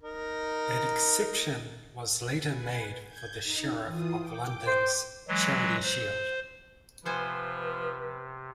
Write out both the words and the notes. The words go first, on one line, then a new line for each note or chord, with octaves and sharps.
An exception was later made for the Sheriff of London's Charity Shield.
D#4 A#4
B4 G#5
G6 G#6
D#4
E3 F4 D#6
G5 D6
C5
E3 F#3 G#3
C5
C3 F3 B3 B4 C5 G#5